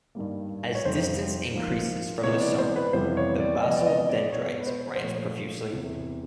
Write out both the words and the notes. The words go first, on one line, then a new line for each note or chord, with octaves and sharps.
As distance increases from the soma, the basal dendrites branch profusely.
G2 D#3 G3 A#3
C#5
F2 C3 D#3 G3 C5
G#2 F3 A#3
C3 E3 G#3 B3 C#5
D5
C5
B4
F2 C3 E3 G3 B3 C5
C#5
D5
C3 F3 G#3 B3 D#5
D5
D#5
D#5
D5
B2 G#3 B3 C#5
B4
C5
C5
A#2 F3 A3 C#5
E2 C3 E3